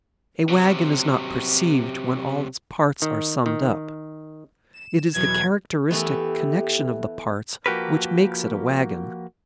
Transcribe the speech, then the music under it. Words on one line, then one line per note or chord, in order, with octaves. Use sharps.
A wagon is not perceived when all its parts are summed up; it is the characteristic connection of the parts which makes it a wagon.
C3 F#3
D#3
D#3
E7
E2 B2 F#3 G#6
E3 A3 B3 G4
F3 A#3 F#4 G4 A#4 B4